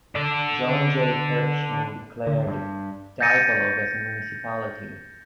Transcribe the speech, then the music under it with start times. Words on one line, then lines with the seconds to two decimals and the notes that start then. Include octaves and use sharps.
John J. Pershing declared Dipolog as a Municipality.
0.15 D4 A4
2.27 D3
2.47 G2
3.21 G6 A6 A#6 C#7 D#7